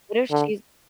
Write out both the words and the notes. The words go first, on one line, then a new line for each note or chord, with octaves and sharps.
what if she's
D3